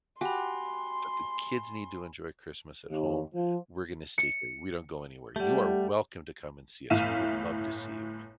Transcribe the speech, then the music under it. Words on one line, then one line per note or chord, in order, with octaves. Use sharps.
but the kids need to enjoy Christmas at home. We're gonna stay here, we don't go anywhere, you are welcome to come and see us, we would love to see you,
F#4 G4 G#5 B5 C6
D#2
F3
C#7
G3 A3 G4 F#5
G1 A2 E5 F5 D#7 E7